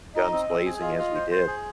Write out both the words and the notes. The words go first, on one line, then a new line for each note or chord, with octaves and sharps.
guns blazing as we did,
D#4 D#5
C4
C4
G#4
F4 D#5
F4
C5
C5
G#4